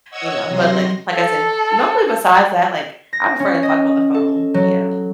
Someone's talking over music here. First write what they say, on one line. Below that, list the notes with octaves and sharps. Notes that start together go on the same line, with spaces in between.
you know. But, like like I said, normally, besides that, like, I prefer to talk on the phone, yeah.
C#5 D#5 F#5 E6 G#6
C3 F#3 C6 A#6
A4
A#6
C#4
D#5
A4
F#3